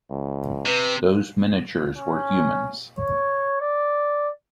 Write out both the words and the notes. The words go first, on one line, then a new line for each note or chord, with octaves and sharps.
Those miniatures were humans.
C#2
C3 B4
C#4
C#5
D5